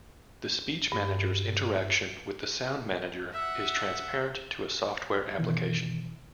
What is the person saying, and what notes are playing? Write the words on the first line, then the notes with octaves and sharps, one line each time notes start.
The Speech Manager's interaction with the Sound Manager is transparent to a software application.
G2
E5 F#5
F#2 B2 D#3 E3